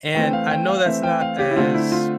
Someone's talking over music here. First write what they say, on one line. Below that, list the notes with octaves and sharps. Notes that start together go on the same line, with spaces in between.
And I know that's not as
E3 A3 C4 G5
F5
G5
F5
E3 A3 C4 E5
G5
F5
G4
E4
D3 A3 C4 F4
E4
F4